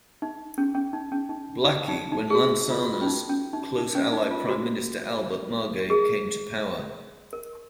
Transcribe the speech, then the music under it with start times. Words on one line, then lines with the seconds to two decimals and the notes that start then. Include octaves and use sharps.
Blackie when Lansana's close ally Prime Minister Albert Margai came to power.
0.22 D#4
0.58 C#4
0.75 C#4
0.93 D#4
1.12 C#4
1.29 D#4
1.65 D#4
1.88 D#4
2.12 D#4
2.30 G#4
2.35 F#4
2.70 F4
2.82 F#4
2.93 F4
3.02 C#4
3.06 D#4
3.30 C#4
3.53 D#4
3.78 D#4
3.95 C#4
4.12 D#4
4.31 F4
4.49 F#4
5.90 G#4
7.33 A#4